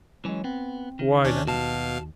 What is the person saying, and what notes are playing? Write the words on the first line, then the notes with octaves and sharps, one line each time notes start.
"Why then?"
E3 F#3 G#3 C#4
B3 C4
D#3
D#2 C#4 D4
B2 F#4 F5 A5